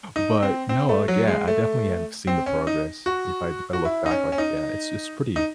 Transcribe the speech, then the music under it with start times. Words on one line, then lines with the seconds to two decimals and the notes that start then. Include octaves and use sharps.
but no, like, yeah. I definitely have seen the progress. If I if I look back, like, yeah, it's it's pretty
0.16 D#4
0.43 C4
0.69 C4
0.89 A3
1.08 F#3
1.27 G#3
1.48 A3
2.27 C4
2.46 C#4
2.67 D#4
3.06 F#4
3.73 F#4
3.85 E4
4.06 D#4
4.11 C#4
4.32 C#4
4.38 D#4
5.36 D#4